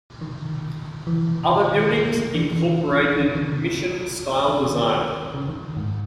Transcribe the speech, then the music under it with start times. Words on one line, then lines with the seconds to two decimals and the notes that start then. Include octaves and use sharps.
Other buildings incorporated Mission style design.
0.21 D#3
1.07 E3
1.49 D#3
2.35 E3
2.43 D#3
2.50 E3
3.20 D#3
3.35 D#3
3.42 C#3
4.48 D#3
5.34 C#3
5.49 D#3
5.77 G#2